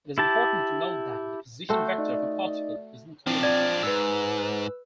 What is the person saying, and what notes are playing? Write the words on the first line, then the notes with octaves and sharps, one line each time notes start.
It is important to note that the position vector of a particle isn't unique.
E4 G4 A5
A3 F#4 A4 C5 G5
D#4 D5
F3 C4 D4
D5 G#6
G#2 B4 E6